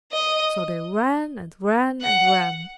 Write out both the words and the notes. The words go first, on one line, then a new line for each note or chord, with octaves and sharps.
So they ran and ran and ran.
D#5
F#5